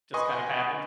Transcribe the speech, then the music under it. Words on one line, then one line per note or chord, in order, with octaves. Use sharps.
just kind of happened?
B4 D#5 G#5 C6 C#6 D#6